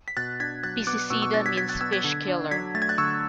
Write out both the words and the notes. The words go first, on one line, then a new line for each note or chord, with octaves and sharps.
"Piscicida" means "fish-killer".
B6
B2 F#6 A6
D4 G#6 B6
F#3 F#6 A6
B3 D6 F#6
B2 C#6 E6
C#6 E6
D4 F#6 A6
G#6 B6
F#3 G#6 B6
F#6 A6
B3 E6 G#6
G#6 B6
D3
D4
F#3 G#6 B6
A3 A6
G#6
F#6 A6
D3 C#6 E6